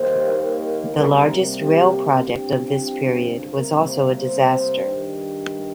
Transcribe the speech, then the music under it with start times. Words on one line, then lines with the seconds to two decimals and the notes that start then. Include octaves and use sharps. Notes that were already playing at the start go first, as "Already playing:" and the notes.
The largest rail project of this period was also a disaster.
Already playing: D#2 D#3 G3 A#3 C5
0.92 C3 G3 A#3 A#4
1.58 G4
2.22 G2 F3 C4 G4
3.53 C3 G3 A#3 A#4
3.85 C5
4.18 C5
4.83 G2 D#3 G3